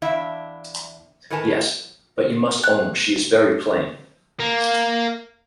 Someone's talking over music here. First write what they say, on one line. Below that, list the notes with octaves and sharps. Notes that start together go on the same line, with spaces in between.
Yes; but you must own she is very plain.
E2 D4 E4 E5 F5
A2 D#3 A#4 B4 G#5 A5
F#6
A#3